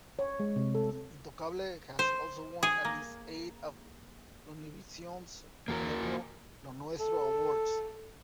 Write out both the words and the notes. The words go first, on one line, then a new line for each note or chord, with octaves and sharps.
Intocable has also won at least eight of Univision's Premio Lo Nuestro awards.
C#5
G#3
C3
A4
C5
G#4
A#3
E2 A#3 F#4 A#4
A4